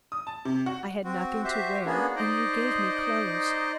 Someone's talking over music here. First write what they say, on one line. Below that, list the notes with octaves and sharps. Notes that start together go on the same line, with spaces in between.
I had nothing to wear, and you gave me clothes.
D#6
A5
C3
F#4
C4 F#4
F#4 G4 C5 E5
A#3 B3 C#4 D4 F#4 G#4
D#4 C5 D5 D#5